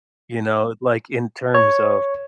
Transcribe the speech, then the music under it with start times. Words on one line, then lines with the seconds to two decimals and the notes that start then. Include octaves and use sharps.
you know, like, in terms of,
1.54 C#5